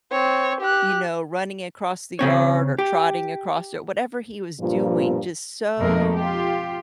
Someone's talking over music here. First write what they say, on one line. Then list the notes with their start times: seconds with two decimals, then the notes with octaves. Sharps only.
you know, running across the yard or trotting across it, whatever he was doing, just so
0.11 C4 C#5
0.60 G4 F#6
2.19 C#3 C4 C#5
2.79 G4
4.60 G2 A#2 F3
5.79 F2 B2 G#3 A#3 D#4 A#4
6.13 F4 G4